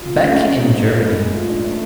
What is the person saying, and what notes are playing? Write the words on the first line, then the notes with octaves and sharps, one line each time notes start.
Beck in Germany.
F4
C#4
C#4
C#4
D#4
G#3
B3
G#3
A3
F4
D4
A3